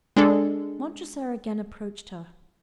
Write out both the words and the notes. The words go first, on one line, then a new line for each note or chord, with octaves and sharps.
Montresor again approached her.
G#3 D4 A4